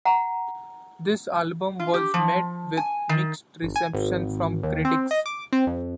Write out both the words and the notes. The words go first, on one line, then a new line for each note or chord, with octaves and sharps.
This album was met with mixed reception from critics.
F#5 A#5
F4
G4
F3
G#5
D#3
G1
G#5
G#1
D#2
C4
D#5
D6
C4
F2